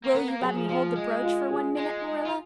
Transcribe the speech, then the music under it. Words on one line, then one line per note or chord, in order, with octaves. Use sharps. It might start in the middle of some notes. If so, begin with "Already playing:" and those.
Will you let me hold the brooch for one minute, Marilla?
A#3
B3 A#4
A#3
F#3 G#4
F3
F3 F4
G#3
F4
G#4
G#3
F4